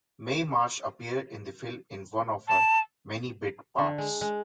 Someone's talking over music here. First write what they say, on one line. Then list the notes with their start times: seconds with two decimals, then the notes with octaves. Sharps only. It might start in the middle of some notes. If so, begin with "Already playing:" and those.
Mae Marsh appeared in the film in one of her many bit parts.
2.48 A5
3.78 D3
3.98 G#3
4.21 G#3